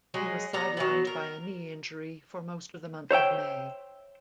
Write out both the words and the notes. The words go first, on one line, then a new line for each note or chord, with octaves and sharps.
He was sidelined by a knee injury for most of the month of May.
F#3 G#3 G#4
G3 B3 A#5
F#3 B3
A#4
C5 C#5 E5 G5